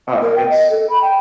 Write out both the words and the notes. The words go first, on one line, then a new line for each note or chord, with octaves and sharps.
Uh, it's
A#4
G5
D#5
A4
B5
G5